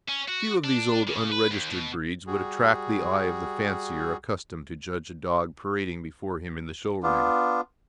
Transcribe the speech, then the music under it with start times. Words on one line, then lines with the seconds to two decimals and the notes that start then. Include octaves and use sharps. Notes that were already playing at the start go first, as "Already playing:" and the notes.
Few of these old unregistered breeds would attract the eye of the fancier accustomed to judge a dog parading before him in the show ring.
0.09 C#4
0.28 F#4
0.64 D4
1.08 C#3
1.32 B4
1.51 D#2
1.71 B2
2.27 G3 F#4 G#4
7.03 B3 D4 F4